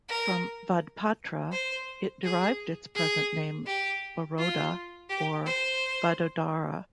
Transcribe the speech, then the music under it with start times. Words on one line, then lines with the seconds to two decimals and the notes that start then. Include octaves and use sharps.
From Vadpatra it derived its present name Baroda or Vadodara.
0.09 A#4
1.52 C5
2.24 G#4
2.95 G#4
3.67 G4
4.38 F4
5.09 G4
5.46 C5